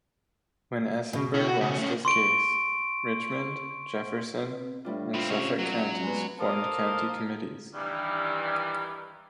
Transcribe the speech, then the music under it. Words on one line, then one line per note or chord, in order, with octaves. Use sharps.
When Essenberg lost this case, Richmond, Jefferson, and Suffolk Counties formed county committees.
B2
E4 C#5
F#4
C#3
A3 C#4
C6 C#6 D7
C4 B4
A2 G3 D4 F4
C4 F4 B4 F5
C3 C#4 G4 C#5
F#3 F#4 G4 D5
G#3 B3 G#5
A#3 A4 A#4 C5 F5 D#6
G2 D#3 E3 G3